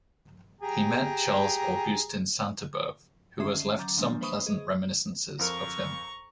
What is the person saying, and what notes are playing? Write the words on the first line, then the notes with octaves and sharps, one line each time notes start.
He met Charles Augustin Sainte-Beuve, who has left some pleasant reminiscences of him.
G4 G#4 A#5
D3 D#3 C#4 E5 D#6 C7
F#3 A#5 D6 G6 A6
D#3 F3 F#3 G#3 A#3 D4
B4 C5 E5 B5 C#6 D#6
G#4 D#5
F2 A#4 A#5 C#6